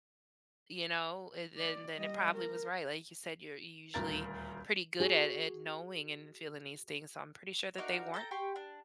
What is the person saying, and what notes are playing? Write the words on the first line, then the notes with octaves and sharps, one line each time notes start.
you know, it then then it probably was right, like you said, you're usually pretty good at at knowing and feeling these things, so, I'm pretty sure that they weren't
D5
G3 D#5
A#4
D#1 D2 A#4 A6
F#4 G#4
D4 D#4 F#4 A#4
A4 G5 A#5
G4 G5 C6 C#6
D4